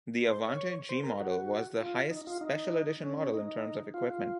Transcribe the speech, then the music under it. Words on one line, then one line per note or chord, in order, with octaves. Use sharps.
The Avante G model was the highest special edition model in terms of equipment.
C5
C#5
C5
A#4
F#4
F4
D#4
F4
D#4
C#4
C#4
D#4
F4
F4